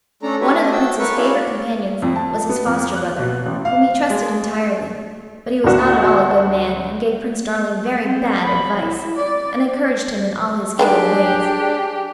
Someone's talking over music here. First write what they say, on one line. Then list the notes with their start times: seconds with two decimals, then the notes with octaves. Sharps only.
One of the Prince's favorite companions was his foster-brother, whom he trusted entirely; but he was not at all a good man, and gave Prince Darling very bad advice, and encouraged him in all his evil ways.
0.23 A3 C#4 D4 A4 A#5
0.41 D4 F#4 G4 B4 C#5 E5
0.53 A3 D#5
0.72 F#4 G5 A5 E6
0.99 F#4 A#4 B4 E5 C#6
1.17 E4 G#4 C#5 D5 F5
2.02 F2
2.16 A5
2.49 B3
2.66 F2
2.94 F#6
3.19 B2
3.46 A1
3.65 F5
4.10 G#3
5.64 D2 D4 F#4
8.01 C4
8.44 B5
8.77 E4
9.16 D5
10.79 D#3 B3 D4 G4 G#4 G5